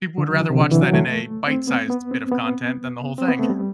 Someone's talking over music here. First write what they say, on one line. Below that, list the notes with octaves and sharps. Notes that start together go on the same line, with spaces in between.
People would rather watch that in a bite-sized bit of content than the whole thing.
D3
F#3
E3
C3
D3
E3
F#3
A3
C4
B3
B3
C4
B3
C4
B3
A3
G3